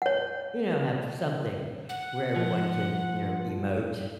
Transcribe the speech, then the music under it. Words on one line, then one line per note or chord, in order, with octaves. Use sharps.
you know, have something to where everyone can, you know, emote
C#5 F#5
F#5
F3